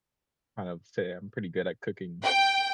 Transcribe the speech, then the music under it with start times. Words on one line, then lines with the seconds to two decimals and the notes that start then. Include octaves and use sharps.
kind of say I'm pretty good at cooking,
2.25 G5